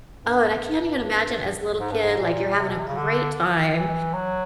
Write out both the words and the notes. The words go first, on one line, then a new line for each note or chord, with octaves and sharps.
Oh, and I can't even imagine as a little kid, like, you're having a great time,
G2
G#2
G2
G#2
A#2
C3
B2
C3
C#3
D3
E3
F#3